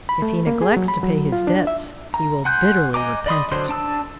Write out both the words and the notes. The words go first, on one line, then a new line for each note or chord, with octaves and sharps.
If he neglects to pay his debts he will bitterly repent it.'
B5
A3
A#3
G#4
F#3
B5
F#3
F4
D4
E5
A#5
F#5 G#5 C6 F#6 G6
D#5 G#5 A#5 D6
D5 D#5 B5 C6 D#6
D3 F#3 C5 C6
D4 A5 E6